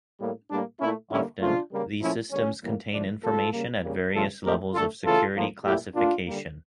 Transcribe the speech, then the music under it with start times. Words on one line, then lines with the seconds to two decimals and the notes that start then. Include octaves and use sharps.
Often, these systems contain information at various levels of security classification.
0.20 A2 G3 A#3
0.50 A2 G3 A#3 D4
0.81 A#2 A3 C#4 E4
1.11 D3 G3 A#3 C#4 E4
1.41 C#3 F3 A3 D4 F4
1.72 C#3 G3 A#3
2.02 A#2 F3 A3 C#4 E4
2.32 D3 G3 A#3 C#4
2.63 A2 E3 G3 A#3
2.92 D3 F3 A3 D4
3.23 C#3 G3 A#3 F4 A4
3.53 C#3 G3 A#3
3.83 C#3 G3 A#3
4.14 C#3 F3 A3 F4 A4
4.44 A#2 F3 A3 G4 A#4
4.74 D3 A3 F4 A4
5.05 C#3 E3 A3 F4 A4
5.35 A2 F3 A#3
5.65 A#2 A3 E4 G4
5.95 A#2 A3 D4 F4
6.26 D3 G3 A#3